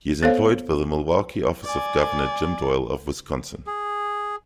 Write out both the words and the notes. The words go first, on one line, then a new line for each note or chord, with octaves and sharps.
He is employed by the Milwaukee Office of Governor Jim Doyle of Wisconsin.
B3 A4 C5 C#5 F5
D5 G#5
G#4